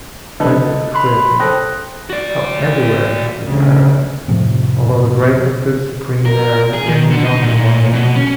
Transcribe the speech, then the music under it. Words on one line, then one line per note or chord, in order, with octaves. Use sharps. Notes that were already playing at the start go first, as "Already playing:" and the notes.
Then it was clear to me how everywhere In heaven is Paradise, although the grace Of good supreme there rain not in one measure.
D3 A4 B4 D#5
B5 C6 F#6
A4 C5 G5 D#6 F#6 A#6
F#4 D5
D2 C#3
F2 A2 C3 F3
A#4
G#4
D#3
D3
D#4
A#2
B2
C#4